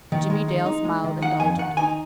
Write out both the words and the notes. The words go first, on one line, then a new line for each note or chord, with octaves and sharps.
Jimmie Dale smiled indulgently.
D#3
G#3
D#4
D#4
G#3
D#3
D#4 F#5
F2 G#5
D#3 F#5
D#4 G#5